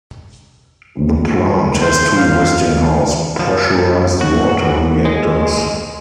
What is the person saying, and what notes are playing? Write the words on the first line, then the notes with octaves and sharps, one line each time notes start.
The plant has two Westinghouse pressurized water reactors.
C5
F5
F3
F#4
G#3